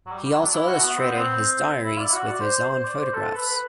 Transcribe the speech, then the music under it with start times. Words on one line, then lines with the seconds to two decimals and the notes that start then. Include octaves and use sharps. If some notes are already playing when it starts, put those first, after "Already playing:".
He also illustrated his diaries with his own photographs.
0.06 F#3
0.11 G3
0.26 G3
0.32 F#3
0.43 D4
0.54 E4
0.68 F#4
0.78 A3
0.82 B3
0.98 C4
1.07 B3
1.17 C4
1.83 E4
1.98 D5
2.08 E4
2.13 F#4
2.27 D5
2.40 C5
2.56 C5
2.70 C5
2.85 D5
2.99 C5
3.13 A4
3.35 B4
3.48 B4